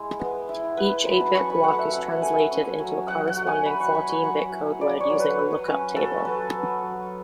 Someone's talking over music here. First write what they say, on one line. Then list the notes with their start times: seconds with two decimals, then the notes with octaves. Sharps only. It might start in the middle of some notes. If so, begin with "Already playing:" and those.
Each eight-bit block is translated into a corresponding fourteen-bit codeword using a lookup table.
Already playing: G#3 E4 G#5
0.19 B3
0.49 E4
0.77 B3 B4
1.06 F#3 B5
1.21 A5
1.35 C#4 C#6
1.50 B5
1.64 A3 F#5
1.79 E5
1.92 C#4 F#5
2.22 A3 G#5
2.50 C#4
2.80 F#3
3.08 F#3 F#5
3.27 F#5
3.37 F#3
3.47 G#5
3.66 F#3 B5
3.80 C#6
3.95 F#3 B5
4.09 C#6
4.24 F#3 F#5
4.52 E4
4.81 F#3 D5
5.00 C#5
5.10 F#3
5.20 B4
5.39 F#3
5.68 C#4
5.96 F#3 A4
6.25 F#3 B4
6.54 B3
6.83 F#3